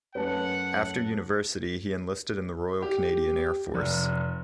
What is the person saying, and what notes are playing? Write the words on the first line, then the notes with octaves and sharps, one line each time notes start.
After university, he enlisted in the Royal Canadian Air Force.
F#2 A3 C#4 B4 F#5 A5
G4
F1